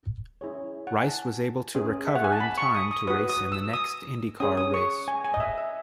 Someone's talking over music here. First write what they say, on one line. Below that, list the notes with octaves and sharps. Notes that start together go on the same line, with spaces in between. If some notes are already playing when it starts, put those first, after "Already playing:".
Rice was able to recover in time to race in the next IndyCar race.
C#4 E4 G#4 C#5
F#5
G#5
A5
C#4 G#4 B4
E5
F#5
G#5
A5
B5
C#6
D#6
D#6
F#4 B4 D#6
D#6
E6
D#6
C#4 G#4 C#5 D#6
D#6
C#6
G#5
G#5
D#5
E5
E5